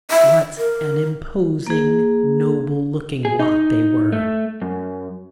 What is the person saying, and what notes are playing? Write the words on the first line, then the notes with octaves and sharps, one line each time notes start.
What an imposing, noble looking lot they were.
E5
A#4
A#3 G#4
G#4
D#4
A3
F#2